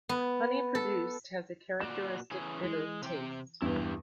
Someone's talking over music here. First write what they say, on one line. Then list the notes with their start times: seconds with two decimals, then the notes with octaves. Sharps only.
Honey produced has a characteristic bitter taste.
0.09 B3
0.75 A4
1.81 A#2 F#4 D5 E7
2.31 E3 C#4 G#4
2.63 E3 G#3
3.02 C3 G4 G5
3.62 E2 G2 E4 G4